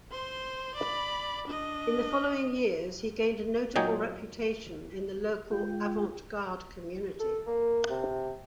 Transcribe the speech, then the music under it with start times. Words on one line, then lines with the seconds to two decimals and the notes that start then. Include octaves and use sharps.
In the following years, he gained a notable reputation in the local avant-garde community.
0.11 C5 C6
0.75 D5 B5
1.47 D4 D#5
3.76 A#2 F#3 A#3 D#4 G5 G#5
5.51 G#3 F4 G5
7.20 A4
7.47 A#3
7.90 C3